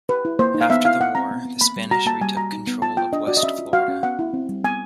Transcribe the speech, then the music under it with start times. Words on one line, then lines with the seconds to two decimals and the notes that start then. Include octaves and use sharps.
After the war, the Spanish retook control of West Florida.
0.09 G4 B4
0.25 E4
0.39 A#3 C5
0.55 D#4
0.61 F5
0.70 B3 E5
0.85 E4 F5
1.00 E4 F#5
1.15 C4 A#5
1.31 B3
1.45 B3
1.61 A#3 B5
1.76 G3
1.91 F#4 A#5
2.06 A#3 A5
2.21 G3 G#5
2.37 F#4 A#5
2.52 D#4
2.67 B3
2.82 F4 A5
2.97 F4 G5
3.12 D4 D#5
3.27 F#4 D5
3.37 D#5
3.43 C#4 E5
3.59 F4
3.73 F#4 F5
3.88 C#4
4.03 B3 F#5
4.19 E4
4.33 C4
4.49 G3
4.64 B3 G#5